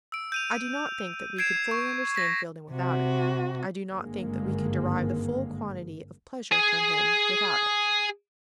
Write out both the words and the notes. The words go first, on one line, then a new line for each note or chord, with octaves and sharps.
I do not think that we could fully understand Fielding without it; I do not think that we could derive the full quantity of pleasure from him without it.
E6 D7
G6 D#7 F7
G#6 C7 D7 E7
C#6
A#6 B6
C3 F#4
G#1 G2 D3 G#3 A#3
G#4 G#5